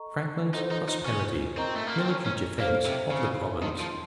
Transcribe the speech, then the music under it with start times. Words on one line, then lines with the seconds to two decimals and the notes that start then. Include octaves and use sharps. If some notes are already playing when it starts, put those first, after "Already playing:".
Franklin's Prosperity. Military Defence of the Province.
Already playing: A4 D#5 A#5 C#6
0.54 D#4 F4 A4 C5 F#5 C6
0.71 D#4
0.89 D#4
1.06 C#4
1.57 C4 A#4 D#5 A#5 C#6
1.76 A3
1.87 A#3
1.98 C4
2.09 C#4
2.26 C#4
2.60 A#3 A4 C5 F5
2.86 C3
3.11 C#3
3.63 D#3 C#5 A5 C6
3.80 F3